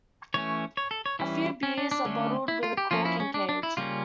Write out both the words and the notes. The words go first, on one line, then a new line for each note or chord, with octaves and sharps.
A few beers are bottled with a cork and cage.
E3 A3 C#4 C#5
C#5
A4
C#5
E3 G3 C#4 E4
C#4
D4
D4
D3 A3 C#4
E4
F4
G4
F3 A#3 C#4 F4
E4
C#4
D4
D4
E4
C#3 G3 A#3 C#4 F4